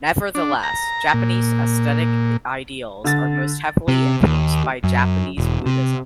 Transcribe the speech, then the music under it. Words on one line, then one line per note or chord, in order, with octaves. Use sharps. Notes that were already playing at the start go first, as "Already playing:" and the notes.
Nevertheless, Japanese aesthetic ideals are most heavily influenced by Japanese Buddhism.
D4
A#5
A#2
D3 A6
C3
D#2
F#2
E1
C3